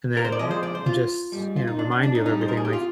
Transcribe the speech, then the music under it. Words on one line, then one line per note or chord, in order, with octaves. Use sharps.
and then just, you know, remind you of everything. Like,
A#4
C5
D5
A#2 F3 G#3 D#5
C5
D5
C5
F4
G#2 G3
F4
D#4
D4
D4
D4
D#4
G#2 G3 D#4
C5
A#4
G#4
G4
F4